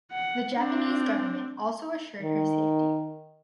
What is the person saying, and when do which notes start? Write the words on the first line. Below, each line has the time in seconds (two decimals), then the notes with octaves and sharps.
The Japanese government also assured her safety.
0.12 F#5
0.56 C4 D4
2.23 D#3